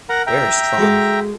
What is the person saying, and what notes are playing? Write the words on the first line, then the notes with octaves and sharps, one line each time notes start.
Where is Tron?
A#4 F#5 A#5
E5 G5 A#5
G#3 F#4 A4